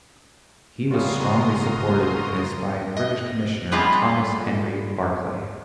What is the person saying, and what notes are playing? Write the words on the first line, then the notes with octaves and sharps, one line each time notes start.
He was strongly supported in this by British Commissioner Thomas Henry Barclay.
C#3 G3 F4 F#4 B4 A#5 C6 D#6
D#5
G3 B3 F4 G#4 A4 D#5